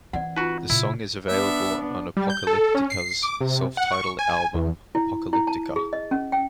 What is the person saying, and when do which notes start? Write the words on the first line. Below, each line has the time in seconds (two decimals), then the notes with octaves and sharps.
The song is available on Apocalyptica's self-titled album, "Apocalyptica".
0.13 E3 C4 D5 F#5
0.36 D#4 F4 F#4 B4
0.70 A#2 C#3 E4
1.28 B3 D4 E5
2.17 G3
2.30 G6
2.47 A4
2.75 C#4
2.90 C7
3.22 D6
3.41 C3
3.77 F#5
3.92 C#6
4.19 G#5
4.54 E2
4.95 E4
5.33 E4
5.47 A5
5.76 G#4
5.93 D#5
6.11 C#4
6.32 G5